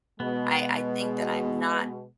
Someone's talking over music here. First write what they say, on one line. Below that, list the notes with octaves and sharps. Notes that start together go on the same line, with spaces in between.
I I think that I'm not
B2 G#3 B3